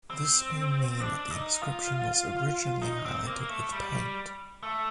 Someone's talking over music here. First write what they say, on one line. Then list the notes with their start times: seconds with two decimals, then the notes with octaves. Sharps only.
This may mean that the inscription was originally highlighted with paint.
0.10 C4
1.01 D4
1.30 D#4
1.62 F4
2.82 D#4
3.05 C4
3.26 A#3
3.49 A3
3.72 G3
4.63 A3